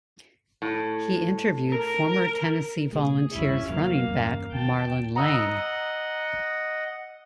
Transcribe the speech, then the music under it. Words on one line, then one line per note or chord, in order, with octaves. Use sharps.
He interviewed former Tennessee Volunteers running back Marlin Lane.
A2
A#4
B2 A3 G#4
G1 D#2 G3 C#4 E4
F#2 C3 F#3 A#3 F5
E2 G2 C#4
D#2 G5 A5
D#5 F#5 A#5 D#6 E6